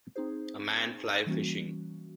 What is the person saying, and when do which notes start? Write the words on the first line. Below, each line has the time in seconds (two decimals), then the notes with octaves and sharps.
A man fly fishing.
0.16 C4 D#4 G#4 C5
1.27 E3 G3 A#3 C#4 F#4